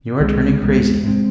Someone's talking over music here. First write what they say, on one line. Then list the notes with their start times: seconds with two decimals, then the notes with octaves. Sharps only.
You are turning crazy, I think.
0.20 C2 C3 G#3
0.63 C2 C3 G#3 B3
1.05 A2 G#3 C4